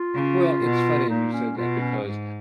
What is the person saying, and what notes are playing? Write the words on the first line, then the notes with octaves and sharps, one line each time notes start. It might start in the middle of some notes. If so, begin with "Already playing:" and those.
Well, it's funny that you said that because,
Already playing: F4
C#3
B2
A#2 D#4
C#4
B2 F4
C#4
G#2